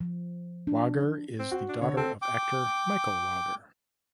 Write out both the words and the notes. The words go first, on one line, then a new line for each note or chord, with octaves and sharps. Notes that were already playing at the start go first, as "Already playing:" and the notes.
Wager is the daughter of actor Michael Wager.
F3
D4
C4
F#4
D4
D3 C#5
C4 A4
G5 D6